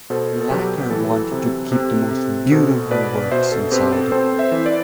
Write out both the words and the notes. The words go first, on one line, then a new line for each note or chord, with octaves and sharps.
The latter wanted to keep the most beautiful works inside.
B2 A4 C5
A4
F#3 G4 B4
E3 A4
C3
C3
C3
B2 A4 C5
B2 B4 D5
B2 C5 E5
A4
C4 G4 B4
A4 C5
C4 A4 C5
C5 E5
E3
B4 D5